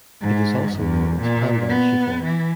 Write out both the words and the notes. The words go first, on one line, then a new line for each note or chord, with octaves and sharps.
It is also known as pandan chiffon.
G#2
E2
A#2
B3
E3